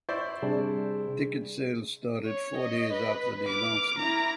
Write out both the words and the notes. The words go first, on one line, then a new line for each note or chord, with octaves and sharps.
Ticket sales started four days after the announcement.
E4 C5 D5 C#6
C3 G3 D4 G#4
C#5
D#5
B4
D6 F6
E4 A#5